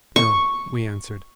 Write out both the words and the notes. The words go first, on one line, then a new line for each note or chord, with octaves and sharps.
"No," we answered.
C#6